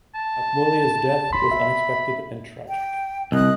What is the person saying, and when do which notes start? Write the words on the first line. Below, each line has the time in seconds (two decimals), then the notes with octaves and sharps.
Akmulla’s death was unexpected and tragic.
0.15 A5
1.33 B5 C6
1.51 E5
2.69 G5
3.32 C2 D#5 D#6 F#6